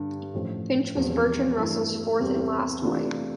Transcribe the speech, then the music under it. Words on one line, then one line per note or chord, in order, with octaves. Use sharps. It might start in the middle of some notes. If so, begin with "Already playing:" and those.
Finch was Bertrand Russell's fourth and last wife.
Already playing: G2 D3 G3
A1 A2 F3
E1 E2 C3 F3
G2 E3 A3 E4
E2 C3 G3 C4
C3 E3 A3 D4 F4